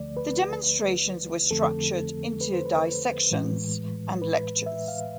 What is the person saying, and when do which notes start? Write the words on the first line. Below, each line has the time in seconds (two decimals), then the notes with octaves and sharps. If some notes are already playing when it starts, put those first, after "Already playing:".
The demonstrations were structured into dissections and lectures.
Already playing: D2 D3 F3 A3 D5
0.17 B4
1.51 F2 D3 F3 A3 C4 A4
2.41 B4
2.53 C5
2.66 B4
3.31 A2 E3 G#3
4.22 B4
4.66 E5
4.88 F5